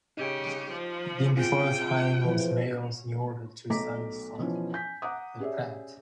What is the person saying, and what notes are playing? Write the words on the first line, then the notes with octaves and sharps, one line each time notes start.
Eating before the "time" of meals in order to satisfy the palate.
C#3 D#4 G4
F3
C3 F4 G#4 G5
E3 F3
B1 A3 A#5 D6 B6
B2 E3 F3 C#4
G#5 G6 B6
F#5 A#5 D6 D#6
C#4 G4 G#4 C#5 D5 E5